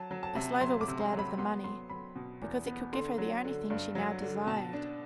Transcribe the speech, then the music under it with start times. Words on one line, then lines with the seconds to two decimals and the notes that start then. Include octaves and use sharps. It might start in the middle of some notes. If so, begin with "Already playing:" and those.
Maslova was glad of the money, because it could give her the only thing she now desired.
Already playing: F#3 A5
0.11 F#3
0.23 A5
0.35 C3
0.61 F#3 C6
0.81 D6
0.88 C3
1.00 C6
1.13 F#3
1.19 B5
1.38 B3 C6
1.64 F#3 C6
1.90 F#3 B5
2.16 B2
2.42 E2
2.67 B3
2.93 D3 C6
3.18 F#3
3.45 D3
3.70 G2
3.95 F#3
4.22 D3
4.47 B2 A5
4.73 D4